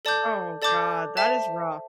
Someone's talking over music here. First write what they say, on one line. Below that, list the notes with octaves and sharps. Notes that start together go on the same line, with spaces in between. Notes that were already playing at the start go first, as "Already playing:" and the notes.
Oh god, that is rough.
A4 D5 A5 D6 G6
A4 D5 A5 D6 G6
C5 E5 A5